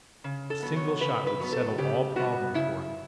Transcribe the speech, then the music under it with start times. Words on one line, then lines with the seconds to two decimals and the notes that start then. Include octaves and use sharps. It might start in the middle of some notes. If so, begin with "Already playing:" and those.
A single shot would settle all problems for him....
0.24 C#3
0.50 A4
0.63 F#3 B3
0.76 C#5
1.01 C#3 B4
1.27 B4
1.40 F#3 B3
1.53 A4
1.78 C#3 G4
2.16 G3 B3 F#4
2.54 C#3 E4